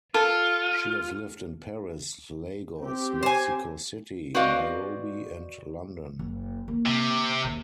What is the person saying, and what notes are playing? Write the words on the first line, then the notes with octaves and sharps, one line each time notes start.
She has lived in Paris, Lagos, Mexico City, Nairobi and London.
F4 A4
C4 G4
C5 G#5
C4 F#4 B4 D5 D#5 F5
F#1
A#3
C3
D#2 C#3